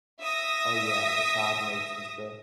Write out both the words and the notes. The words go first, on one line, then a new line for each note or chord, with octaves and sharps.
Oh, yeah, with the cognates and stuff.
E5 D#6 A#6